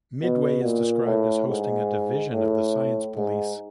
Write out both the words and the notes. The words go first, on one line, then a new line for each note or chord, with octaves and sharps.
Midway is described as hosting a "division" of the Science Police.
B2
A#2
A2
G#2
A2
G#2